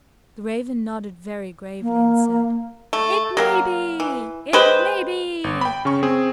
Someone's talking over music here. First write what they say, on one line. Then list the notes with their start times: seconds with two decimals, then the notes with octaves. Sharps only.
The Raven nodded very gravely, and said, "It may be--it may be!"
1.82 A#3
2.93 A3
3.37 F#3 A#3 A#4
4.00 E3
4.53 G#3 G4 B4 C5
5.44 G1
5.61 G5 B5
5.85 C#3 C#4 C#6
6.03 C4 G#4